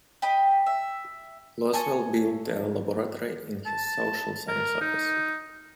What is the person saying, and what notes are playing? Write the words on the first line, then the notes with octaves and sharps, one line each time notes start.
Lasswell built a laboratory in his social science office.
G4 D#5 B5
E5
A4 G#5 C#6
A5
A#4
D#4